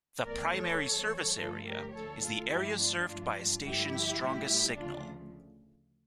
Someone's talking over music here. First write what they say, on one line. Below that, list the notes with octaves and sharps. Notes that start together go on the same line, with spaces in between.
The "primary service area" is the area served by a station's strongest signal.
E2 E3 A3 A#4 D5
A4 C#5
E2 E3 G3
G2 D3 F3 A3 F4 A4
G4 A#4
D2 D3 A3 A4 C#5
F4 A4
G2 F3 A3 E4 G4
D4 F4
G2 F3 A3
G2 D3 F3 A3 E4 G4
A2 G3
D2 C#3 F3 A3 D4 F4